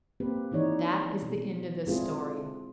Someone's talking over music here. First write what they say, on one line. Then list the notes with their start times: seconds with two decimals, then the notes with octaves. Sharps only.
That is the end of this story.
0.20 A#3 C4 G4 B4
0.51 D#3 E3 D#4 C#5 D5
1.22 B2
1.87 G#3 C4 D4 E4 F4 G#4